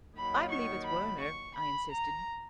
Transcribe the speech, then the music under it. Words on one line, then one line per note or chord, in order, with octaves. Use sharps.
"I believe it's Werner," I insisted.
D#2 D#3 F#3 B5
C#6
B5
C#6
B5
A#5